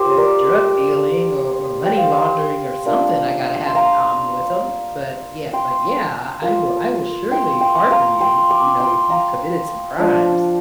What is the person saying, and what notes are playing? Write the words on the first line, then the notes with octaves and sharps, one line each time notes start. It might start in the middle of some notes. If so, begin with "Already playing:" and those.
or drug dealing or or money laundering or something I gotta have in common with 'em." But yeah but yeah, "I I will I will surely pardon you, you know, if you've committed some crimes."
Already playing: A#3 F4 G4 C5
A#4 D5
G5
C5 F5
A#3 D4 F4
C6
F5 A#5
G5 C6
A#3 F4
G5 C6
G5 C6
G5
F5 A#5
G5 C6
A#5 D6
G5 C6
F5 A#5
F3 D4 F4